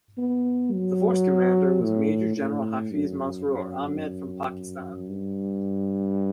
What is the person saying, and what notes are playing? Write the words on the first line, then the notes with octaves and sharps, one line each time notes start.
The force commander was Major-General Hafiz Masroor Ahmed from Pakistan.
B3
F#3
A2
A2
F#2
F#2
G2